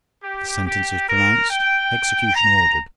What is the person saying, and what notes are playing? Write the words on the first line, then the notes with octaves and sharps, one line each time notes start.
The sentence is pronounced--execution ordered.
G4
G4
A#4
G5
A#5